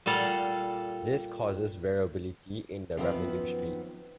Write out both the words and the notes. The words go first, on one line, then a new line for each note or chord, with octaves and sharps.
This causes variability in the revenue stream.
A#2 G3 A4 F5 F#5
F#2 D#3 F3 B3 C4 B4